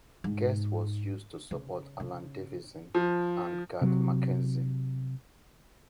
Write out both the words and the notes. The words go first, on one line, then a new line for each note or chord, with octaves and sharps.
Guest was used to support Alan Davidson and Garth McKenzie.
G#2
C#3
C#3
F3
C3 F#3